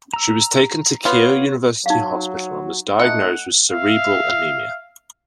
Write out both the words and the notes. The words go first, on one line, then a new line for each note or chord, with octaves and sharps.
She was taken to Keio University Hospital and was diagnosed with cerebral anemia.
A#5 E6
B3 F4 C#5
F#3 D#4 F5
A3 D#4 F#5
E5 F5